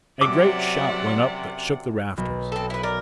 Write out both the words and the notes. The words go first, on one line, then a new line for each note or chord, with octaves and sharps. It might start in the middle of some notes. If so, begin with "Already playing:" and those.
A great shout went up that shook the rafters.
F#2 C3 F#3 D5 E5 F#5 D6
B1
C4 A4
E4 B4
A#4 D5